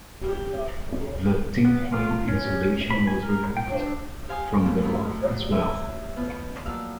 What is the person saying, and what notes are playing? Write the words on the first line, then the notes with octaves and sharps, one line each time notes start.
The "tin foil" insulation was removed from the roof as well.
G4
B3
F4
C#4
B5
G#5
A#4
G5
D4
G4 C5 F5 G#5 C6 D#6
D#2 G#2 A3 A#3
F3 F#3 E4 B5
E3 C#4 E5 F6
B2 B3 F4
A#2 F3 F#3 F5 E6